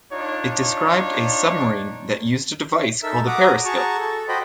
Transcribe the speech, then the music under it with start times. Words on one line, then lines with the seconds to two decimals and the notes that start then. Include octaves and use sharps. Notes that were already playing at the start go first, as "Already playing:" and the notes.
It described a submarine that used a device called a periscope.
0.13 D4 D#4 F4 C#5
3.03 D#4 A4 A#4 E5 E6
3.27 F#4 F#5 A#5 D6 D#6
3.65 F#4 G#4 A5 A#5 C#6
3.97 A4
4.28 F#4 C5 D#5 G5 B5